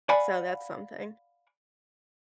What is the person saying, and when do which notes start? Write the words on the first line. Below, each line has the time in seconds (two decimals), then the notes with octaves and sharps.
So, that's something.
0.09 D5 F5 F#5 G#5 B5